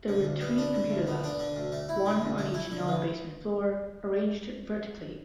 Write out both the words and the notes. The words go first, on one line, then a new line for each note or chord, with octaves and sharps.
There were three computer labs: one on each non-basement floor, arranged vertically.
D3
D2
B3
D4
D3
D2
B3
D4
D3
D2
A3
E4
D3
D2
A3
E4
D3
E3